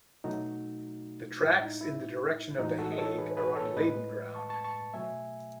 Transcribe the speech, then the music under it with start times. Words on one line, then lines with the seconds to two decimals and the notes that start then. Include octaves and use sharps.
The tracks in the direction of The Hague are on Leiden ground.
0.24 B2 F#3 A3 D#4 F#4
1.41 A2 G#3 E4
1.61 D#4
1.81 E4
2.58 A2 E3 G#3 D#4 F#4
2.78 F#4 A4
2.92 D#5
2.98 A4 C#5
3.18 G#4 B4
3.37 G#4 B4
3.56 A4 C#5
3.77 A2 G#3 B4 D#5
4.34 A5 C#6
4.49 A5 C#6
4.64 A5 C#6
4.94 B2 F#3 A3 E5 G#5